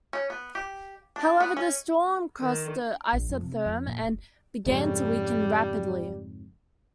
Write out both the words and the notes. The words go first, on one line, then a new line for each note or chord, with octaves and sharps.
However, the storm crossed the isotherm and began to weaken rapidly.
C#4
B3
G4
D4
B3
C#4
D#3
A#1
F2
C3
F2
A#2
E1
F2 G#2 C#3 G3